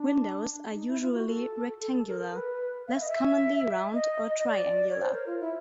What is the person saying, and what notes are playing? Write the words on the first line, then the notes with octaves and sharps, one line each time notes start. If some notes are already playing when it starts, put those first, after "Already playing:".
Windows are usually rectangular, less commonly round or triangular.
Already playing: D4
D4
D#4
E4
F4
F#4
A4
A4
A#4
A#4
B4
F5
E5
D#5
E5
D#5
D#5
D5
C#5
C5
A#4
F4
E4